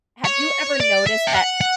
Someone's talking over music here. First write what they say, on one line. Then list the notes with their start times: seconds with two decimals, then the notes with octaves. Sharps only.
have you ever noticed that
0.25 C#5
0.80 D5
1.07 E5
1.27 G5
1.34 F#5
1.61 F#5